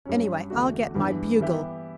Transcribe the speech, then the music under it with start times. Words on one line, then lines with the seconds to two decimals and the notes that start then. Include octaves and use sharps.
Anyway, I'll get my bugle.
0.05 G2 F#3 C#4
0.50 E2 D3 A3 D4 F#4
0.95 G2 E3 B3 D4
1.40 E3 G3 B3 E4 G4